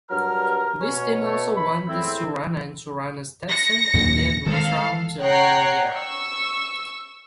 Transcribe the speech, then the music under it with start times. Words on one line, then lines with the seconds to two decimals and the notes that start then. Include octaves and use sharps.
This team also won the Surana and Surana Stetson India North Rounds earlier year.
0.10 G2 F#3 A#4 F6
0.81 B2 C#4 C#5
1.25 A3
1.56 B5
1.88 E2 A2 C4 E4
3.49 A#6 C#7
3.94 D#2 A#2 F#3
4.46 D#3 G#3 A4 F5
5.21 C#5 F#5 G5 A#5 F#6 C7
5.92 C#6 E6